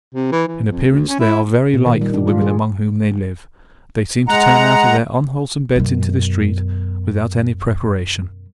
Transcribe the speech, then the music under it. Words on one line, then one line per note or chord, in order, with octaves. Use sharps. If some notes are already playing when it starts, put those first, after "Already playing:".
In appearance, they are very like the women among whom they live. They seem to turn out of their unwholesome beds into the street, without any preparation.
C3
E3
E3
F2
D2
C#4
E4
A#2
D#3
G3
D4
F4
G#4
G#3 F#5 A#5
F#2 B2